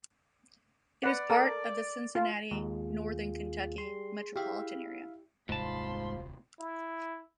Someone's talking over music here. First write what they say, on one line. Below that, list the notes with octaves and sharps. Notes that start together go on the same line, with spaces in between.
It is part of the Cincinnati-Northern Kentucky metropolitan area.
B4 D5 F#5
A4 A#4
F4
D#2 G#3 F4 G#4
G3 C6
E4 G4 E5 F5
D#1 C2 G#2 F3 A5 B5 C6
E4